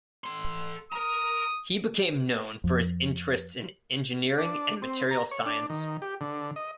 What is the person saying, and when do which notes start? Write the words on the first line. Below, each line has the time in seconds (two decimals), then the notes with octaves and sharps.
He became known for his interests in engineering and material science.
0.24 A4 C6
0.92 A#4 A#5 D#6
2.64 F2
4.38 D4
4.82 C4
5.11 A#5
5.31 C#5
5.46 D4
5.70 D#3
6.02 G4
6.21 D3
6.56 D#5